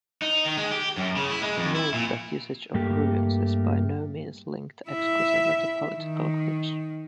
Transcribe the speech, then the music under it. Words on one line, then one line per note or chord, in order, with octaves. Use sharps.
Note that usage of runes is by no means linked exclusively to political groups.
D#4
D#3
G#3
G4
F#2
C#3
E4
G#3
F2
E4
A#2
G2 A3 A#3 G4
E4 E5
D#3